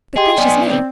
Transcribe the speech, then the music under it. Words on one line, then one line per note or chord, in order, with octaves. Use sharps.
But gracious me!
G4 G#4 D#5 G5 C6
B3 D#4 D5 G#5
C4